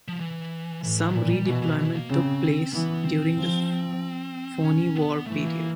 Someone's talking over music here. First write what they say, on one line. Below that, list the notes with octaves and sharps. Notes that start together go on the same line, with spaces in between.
Some redeployment took place during the Phoney War period.
F3
E3
A2 E3
D#3
A#2 E3
G3
B2 E3
E3
E3
A#3
C#3 C4
E3 B3
C4
F3
C#4
B3
E3 A3
A#3